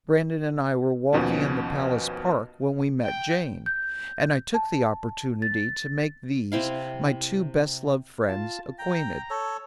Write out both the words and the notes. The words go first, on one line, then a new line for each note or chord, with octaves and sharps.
Brandon and I were walking in the palace park when we met Jane, and I took the opportunity to make these, my two best-loved friends, acquainted.
D#2 B2 F3 C#4
G5
G6
A5
A6
C3 C4 E4 F5
F4 A5
G5 A#5
A4 C#5